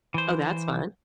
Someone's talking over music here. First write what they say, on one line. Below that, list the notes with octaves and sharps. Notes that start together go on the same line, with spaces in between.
Oh, that's fun.
E3 C5